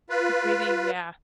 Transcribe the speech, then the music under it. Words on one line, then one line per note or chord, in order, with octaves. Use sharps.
breathing Yeah,
F4 B4